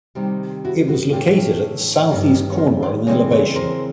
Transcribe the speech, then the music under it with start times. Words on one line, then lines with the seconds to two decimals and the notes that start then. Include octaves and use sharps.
It was located at the southeast corner on an elevation.
0.15 C3 D#3 G3 C4
0.65 E4 F#4
0.88 E4 F#4
1.12 A2 E3 A3 D4 F4 G4
1.28 F#4
1.36 F4 G4
2.10 G2 D#3 G3 A#3 C#4
2.52 C#5
2.58 A#4 C5
2.82 C5 D5
3.07 C#3 E3 G#3 C4 C#5 D#5
3.30 B4 C#5
3.56 A#4 C5